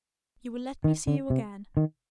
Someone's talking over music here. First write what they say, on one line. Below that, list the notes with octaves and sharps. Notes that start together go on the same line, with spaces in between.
You will let me see you again?
D#3
D3
C3
D#3